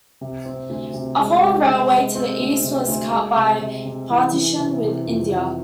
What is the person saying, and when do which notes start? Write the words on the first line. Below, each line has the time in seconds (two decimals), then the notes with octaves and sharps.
A former railway to the east was cut by partition with India.
0.21 C3
0.45 C4
0.69 D2
0.94 C3
1.18 G#3
1.42 G#3
1.67 C3
1.91 G#3
2.15 C4
2.39 D2
2.64 C3
2.88 D2
3.12 G#3
3.36 C3
3.60 C3
3.85 C3
4.10 E3
4.33 E3
4.58 C3
4.82 C3
5.06 F2
5.31 C3